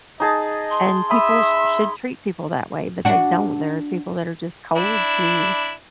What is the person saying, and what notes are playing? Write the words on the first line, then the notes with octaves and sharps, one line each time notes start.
And people sh should treat people that way, but they don't, there are people that are just cold to
D#4 G#4 D#5 A5
C6
E5 B5 D#6
D4 F#4
D4 E4 B5